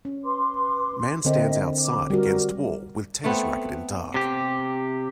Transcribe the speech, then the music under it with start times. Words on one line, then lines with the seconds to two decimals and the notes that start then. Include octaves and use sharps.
Man stands outside against wall with tennis racket in dark.
0.05 C#4
0.24 B4 C6 D6
1.25 D3 C4 A#4 D#5 E5
1.79 D6
2.10 G3 F#4 G4 A#4
3.24 A3 B3 C4
4.14 C3 G4